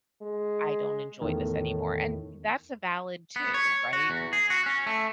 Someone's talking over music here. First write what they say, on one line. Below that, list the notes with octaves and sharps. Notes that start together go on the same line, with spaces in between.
I don't enjoy this anymore." And that's a valid too, right?
G#3
E2 A2 D#3
B3
C#5
F#4
E2
G#4
F#4
C#4
A3